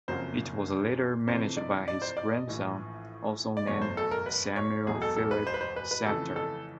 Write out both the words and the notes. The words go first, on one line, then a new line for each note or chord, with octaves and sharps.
It was later managed by his grandson, also named Samuel Philip Sadtler.
F#1 F2 C#3 F#3 A#3 C5
F2 C3 E3 A3 C5
D5
D5
C5
D5
D#5
A#1 A2 E3
D5
F#1 E2 B2 F#3 A3 C#5
C5
A4
A#4
B4
C#5
E1 E2 B2 F#3 A3 G#4
A4
A4
B4
C5
B4
C5
B4
B4
F2 C#3 E3 A3 A4
A4